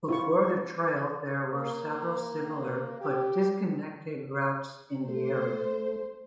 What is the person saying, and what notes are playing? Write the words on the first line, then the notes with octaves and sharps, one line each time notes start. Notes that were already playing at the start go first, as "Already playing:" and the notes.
Before the trail, there were several similar but disconnected routes in the area.
E4 F4 C#6
A#3
G4
A3 C5